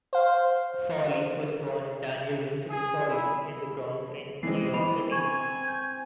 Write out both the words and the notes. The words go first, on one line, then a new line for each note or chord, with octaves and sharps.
Fowley was born Daniel Vincent Fowley in The Bronx in New York City.
C5 F5
G#4
E4
E3 G#3 C4 C7
E3 B5 F7
G#5 C#6
G6